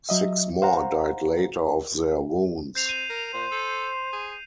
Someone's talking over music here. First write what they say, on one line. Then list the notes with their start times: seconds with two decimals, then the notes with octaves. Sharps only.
Six more died later of their wounds.
0.09 F#3 D#5 E5
0.62 C5 F5 F#5 A#5
2.75 C4 G6 C7 F7
2.89 D#7
3.10 A#4
3.34 A#2 C5
3.51 A4
4.13 G#4